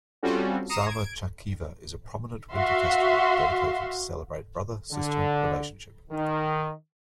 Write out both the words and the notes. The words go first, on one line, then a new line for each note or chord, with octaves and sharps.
Sama Chakeva is a prominent winter festival dedicated to celebrate brother sister relationship.
G3 C4 C#4 F4 F#4 A4
A#5 D#6 C7 C#7 E7
G#6 D7
F#4 E5 F5 C6
D3
D#3